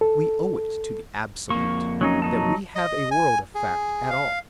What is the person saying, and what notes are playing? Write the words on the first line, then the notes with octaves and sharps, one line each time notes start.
We owe it to the Absolute that we have a world of fact at all.
A4
F2 A#3 C#6
F#3 C#4 D#4
F#3 D#4 A5
D#5
G#5
G#4
F5